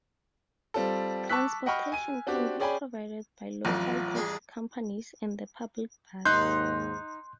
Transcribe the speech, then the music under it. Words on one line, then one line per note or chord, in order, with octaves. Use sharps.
Transportation can be provided by local taxi companies and the public bus.
G3 C4 F4 A4
A5 C#6 D6 E6 F#6 B6
D#5 F#5 G5 B5 C#6 F6
G#5 D#7
C4 D4 F#4 G4
C#4 G#4 D5 G5 G#5 B5
A1 F2 F#3 F4
G3 D4 G#4
D#2 G#2 D#4 C6 F#6 G6